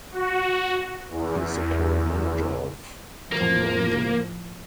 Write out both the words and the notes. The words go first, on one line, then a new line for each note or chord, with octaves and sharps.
He is the current manager of Tombense.
F#4
E2
A2 F3 A#3